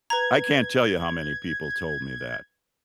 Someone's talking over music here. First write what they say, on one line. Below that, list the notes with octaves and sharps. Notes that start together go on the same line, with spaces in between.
I can't tell you how many people told me that.
B4 A#5 G#6